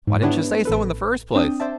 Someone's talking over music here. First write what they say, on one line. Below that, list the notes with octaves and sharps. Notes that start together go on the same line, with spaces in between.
Why didn't you say so in the first place?
G#2
B3 D4 E4 G4 B4 C#5
A1 A4 B4
C4 D4 G5 D#6
C5 D5 E5 A5